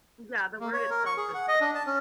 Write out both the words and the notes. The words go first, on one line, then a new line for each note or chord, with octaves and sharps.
Yeah, the word itself is
A#3
C#5
A#4
C#6
G#4
F#5
D#5
D4
A5
C#4